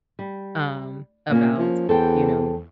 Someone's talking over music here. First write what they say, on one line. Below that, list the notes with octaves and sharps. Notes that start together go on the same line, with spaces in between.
Um, about, you know,
G3
A#2 A#3 C#4
F3
E2 A4 C5 G5